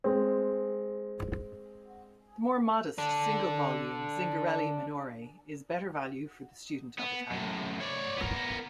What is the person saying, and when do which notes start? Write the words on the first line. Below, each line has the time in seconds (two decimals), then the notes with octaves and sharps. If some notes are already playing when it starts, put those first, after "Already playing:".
The more modest, single-volume "Zingarelli minore" is better value for the student of Italian.
0.04 G#3 C4
2.98 D4 A4
6.99 B3
7.31 F#2 A2
7.80 C#5 D5
8.17 B3 A#4